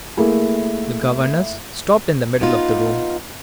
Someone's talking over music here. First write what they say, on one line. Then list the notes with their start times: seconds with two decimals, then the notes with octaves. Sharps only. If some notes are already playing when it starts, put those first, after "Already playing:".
The governess stopped in the middle of the room.
0.17 A3 A#3 E4 G#4
2.41 B3 D#4 F4